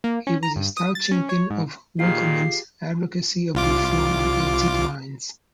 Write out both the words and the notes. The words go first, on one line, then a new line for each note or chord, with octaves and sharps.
He was a stout champion of Winckelmann's advocacy of reform on antique lines.
A#3
C#4
A#5
G2
D#6
A6
C#4
C#5
G#2
A#2 D#3 F4 G4 G#4 F5 C7
C2 F4 D6